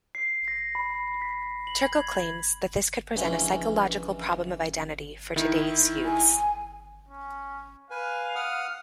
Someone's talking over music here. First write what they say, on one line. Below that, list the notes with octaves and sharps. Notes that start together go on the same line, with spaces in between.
Turkle claims that this could present a psychological problem of identity for today's youths.
C7
A#6
B5
B6
F#7
G#6
A#1 C#3 E3 G#3 A3 F4
D#3 E4
G#5
C#4
B4 F5 G#5
F#5 D#6 F6